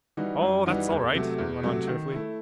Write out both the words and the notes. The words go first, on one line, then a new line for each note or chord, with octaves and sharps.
"Oh, that's all right," he went on cheerfully.
E3 G3 D#4 F#4
F#2
E3 G3 D#4 F#4
E2
C3 F#3 A3
E2
C3 F#3 A3
D#3
A3 E4